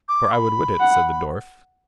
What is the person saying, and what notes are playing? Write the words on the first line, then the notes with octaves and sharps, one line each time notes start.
For I would wit it, said the dwarf.
D6
B5
F#5